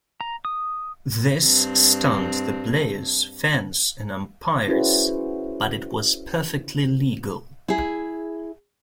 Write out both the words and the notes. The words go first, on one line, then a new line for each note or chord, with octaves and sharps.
This stunned the players, fans and umpires, but it was perfectly legal.
A#5
D#6
G2 C4
C#4 E4 F#4 G#4 B4 C5
E4 G#4